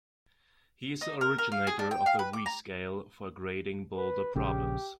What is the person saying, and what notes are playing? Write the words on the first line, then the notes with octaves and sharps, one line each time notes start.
He is the originator of the V-scale for grading boulder problems.
D#4
A#4
A#4
F5
G#4
D4
G5
F5
B4
D6
A#5
B4
A#1 C#3 G4